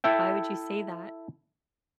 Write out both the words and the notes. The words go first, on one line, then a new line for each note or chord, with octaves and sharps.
Why would you say that?"
E4 A4 E5 G5